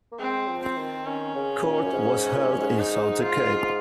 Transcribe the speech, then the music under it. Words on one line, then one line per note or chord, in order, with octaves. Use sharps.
Court was held in Sauta Cave.
A#3
G#3 C4
F3
C4
D#3
D#3 C#4
C#3
A#2
F#2
G#2
A#2
G#2
F#2
G#2
D#4
F4